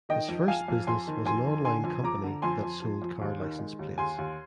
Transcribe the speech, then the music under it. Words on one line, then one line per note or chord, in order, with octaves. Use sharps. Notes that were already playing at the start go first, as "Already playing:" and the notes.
His first business was an online company that sold car license plates.
D#3 D#5 G5
F2
F2 F5 G#5
F2
F2 G#5 C6
D#3
F2 G#5 C6
D#3
D3 G#5 C6
F2
F2 A#5 D6
D3
F2 G#5 C6
F2
F3
F2
D#2
D#3
G#3
D#2
D#2 G#5 C6
D#2